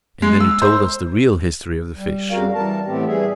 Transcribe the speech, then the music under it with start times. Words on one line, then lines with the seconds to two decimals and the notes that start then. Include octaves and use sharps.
And then he told us the real history of the fish.
0.22 G#3
0.40 E6
0.62 C5
1.96 G3
2.31 F2 C#3 G3 F#4 A#4 F5
2.54 E3 G3 A#4 A5
2.87 A2 E3 A3 B3 C4 G4
3.07 E3 G3 G#4 E5